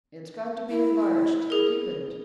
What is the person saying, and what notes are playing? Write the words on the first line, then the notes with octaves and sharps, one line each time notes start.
It's got to be enlarged, deepened.
E4
G#4 A#4